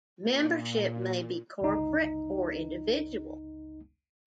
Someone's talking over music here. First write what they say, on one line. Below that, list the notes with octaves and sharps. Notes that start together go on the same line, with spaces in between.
Membership may be corporate or individual.
A#2
G1 C#2 D#4